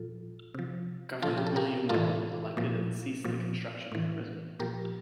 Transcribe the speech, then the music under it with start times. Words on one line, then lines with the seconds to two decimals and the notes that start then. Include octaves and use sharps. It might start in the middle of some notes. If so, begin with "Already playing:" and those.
Governor William Weld was elected and ceased the construction of the prison.
Already playing: A#2 F3 F4 A4
0.54 C3 F3
1.22 A#2 F3 F4 A4
1.38 G4
1.47 A4
1.56 G4 A#4
1.89 A2 E3 F4 A4
2.57 A#2 F3
3.24 A#2 F3
3.92 A2 E3
4.59 A#2 F3 G4 A#4